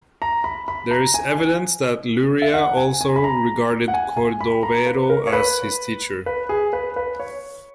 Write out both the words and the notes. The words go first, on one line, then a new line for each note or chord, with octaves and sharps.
There is evidence that Luria also regarded Cordovero as his teacher.
A#5
B5
B5
A#5
G#5
G#5
E5
F#5
G#5
G#5
B5
A#5
F#5
G#5
G#5
B5
A#5
B4
A#4
C#5
B4
B4
G#4
B4
B4
C#5